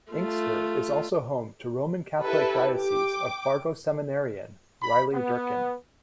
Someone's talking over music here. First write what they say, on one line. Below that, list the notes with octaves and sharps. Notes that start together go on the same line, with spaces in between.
Inkster is also home to Roman Catholic Diocese of Fargo seminarian, Riley Durkin.
A3 F4
E4 G4 A4 B4
G5 D6
B5
B3